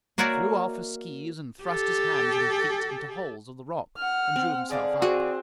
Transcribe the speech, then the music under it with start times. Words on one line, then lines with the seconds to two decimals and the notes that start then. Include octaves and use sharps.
He threw off his skees and thrust his hands and feet into holes of the rock and drew himself up.
0.18 A#3 F#4 A#4 C#5 D5 E5
1.63 G4 A4
3.98 F#5 F6
4.36 C4
4.71 D3 G#4 D5 F5
5.02 C4 F#4 G#4